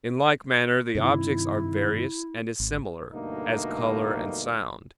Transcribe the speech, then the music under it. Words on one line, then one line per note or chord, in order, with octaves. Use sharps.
In like manner the objects are various and dissimilar, as color and sound.
G2 C3 D#3 E4
G#1
D2 G2 B2 A3 A#3 D#4